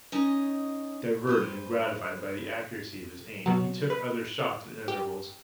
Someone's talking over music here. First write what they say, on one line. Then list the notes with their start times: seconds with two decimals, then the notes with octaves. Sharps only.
Diverted and gratified by the accuracy of his aim, he took other shots at intervals.
0.12 C#4 D#4 C#5 D#5
1.27 G2 B4 C5
3.46 B2 F#3
3.90 B4
4.88 G4